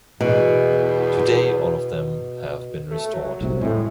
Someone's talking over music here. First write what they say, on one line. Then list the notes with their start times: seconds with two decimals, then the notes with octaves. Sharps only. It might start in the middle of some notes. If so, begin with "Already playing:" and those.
Today all of them have been restored.
0.21 E2 B2
2.91 A3
3.14 F#3
3.41 F1 C2 C3
3.61 A2 G#3 A3